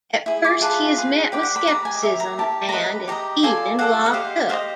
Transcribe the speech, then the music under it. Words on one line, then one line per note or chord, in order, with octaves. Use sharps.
At first he is met with scepticism, and is even locked up.
E4 G#4
D6
F4 G#4 B4 A5
F4 G#4 B4
G4 B4 D5 G5
F#5
B5
G4 B4 D5 A#5
G#5
D#5
E4 G4 A#4 E5
A#5
E4 G4 A#4 A5
A#5
G4 B4 D#5 B5
G4 B4 D#5 A#5
F4 A4 D5 G#5
F4 A4 D5 F#5
F#5
G4 C5 D#5 F5
G4 C5 D#5 F5